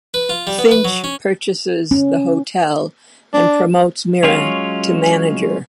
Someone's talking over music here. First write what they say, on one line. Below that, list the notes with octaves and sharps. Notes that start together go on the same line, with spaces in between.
Finch purchases the hotel and promotes Mira to manager.
B4
F4
G3
B3
B4
F#3
C#4
C#4
D4
F#3 G#3 C#4 F4 C#5